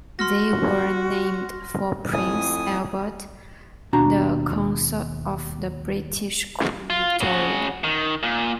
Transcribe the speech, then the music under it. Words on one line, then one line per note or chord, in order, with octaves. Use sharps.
They were named for Prince Albert, the consort of the British Queen Victoria.
F#4 C6 F6 A#6
F2 A2 G#5 D#6
D#2 B2 D4 F#4 A5 A#5
F4
C#3 F#4
D#3
A#2